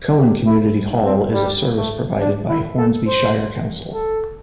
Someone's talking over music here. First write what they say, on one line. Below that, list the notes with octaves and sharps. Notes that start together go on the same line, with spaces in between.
Cowan Community Hall is a service provided by Hornsby Shire Council.
G4
E4
C4
G3
A3
D4
E4
A4
C5
A4